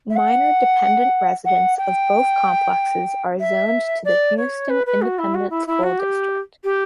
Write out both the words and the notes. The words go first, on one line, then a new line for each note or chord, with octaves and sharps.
Minor dependent residents of both complexes are zoned to the Houston Independent School District.
E5
F#5
F#5
G5
E5
D5
C#5
B4
B4
F#4
E4
F#4
E4
E4
F#4
G4
G4